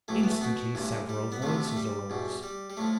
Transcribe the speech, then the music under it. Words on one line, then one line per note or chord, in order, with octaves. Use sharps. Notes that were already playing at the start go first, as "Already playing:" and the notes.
Instantly, several voices arose.
B1 A2 E3 A3
B3
A3
B2 B3
A1 G2 E3
G3
B3
D2 C3 F3 A3
A3
G3
E2 B2
G3
G3
A2 F3 A3